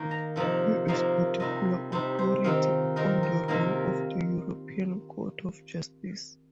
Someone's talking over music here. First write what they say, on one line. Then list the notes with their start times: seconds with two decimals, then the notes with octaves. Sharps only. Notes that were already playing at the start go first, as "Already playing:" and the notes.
He is a particular authority on the role of the European Court of Justice.
Already playing: D#3 A#3 D#4
0.11 A#5
0.36 C3 F3 A#3 D#4
0.88 C3 F3 A#3 D#4 F5
1.40 C3 G3 D#4 D#5
1.92 C3 G3 D#4 C5
2.19 C5
2.44 D#3 C4 D#4 F4
2.96 D#3 C4 D#4 A#4
3.23 A#4
3.48 C3 G3 A#3 D#4 A#4